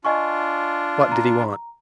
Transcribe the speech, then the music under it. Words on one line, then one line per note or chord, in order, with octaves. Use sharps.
What did he want?
D4 F4 D#5 G#5 C#6
A#5